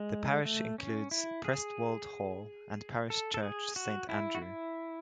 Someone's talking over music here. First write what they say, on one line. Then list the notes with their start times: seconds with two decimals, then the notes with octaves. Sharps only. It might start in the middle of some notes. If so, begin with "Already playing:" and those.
The parish includes Prestwold Hall and parish church Saint Andrew.
Already playing: G#3
0.45 A3
0.78 C#4
1.11 E4
1.45 G#4
3.10 A4
3.34 A4
3.43 G#4
3.76 F#4
4.09 E4
4.35 F#4
4.42 E4